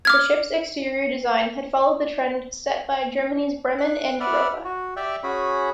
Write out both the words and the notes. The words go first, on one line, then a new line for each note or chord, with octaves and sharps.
The ship's exterior design had followed the trend set by Germany's Bremen and Europa.
D6 F6 G#6
F#6
B4 D5 E5 F#5 F6
F#4
G4 D5 E5 G5
C#4 F#4 G#4 B5